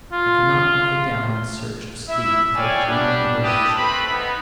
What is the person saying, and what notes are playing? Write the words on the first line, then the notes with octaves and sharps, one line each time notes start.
I could not lie down in search of sleep without dreaming of eruptions.
F4
E4 E5
C#5 D5 F5 G5 G#5
G3 B3 D4
E4 G4 B4 A5 D#6
A3 C4 B4 B5
B3 D#4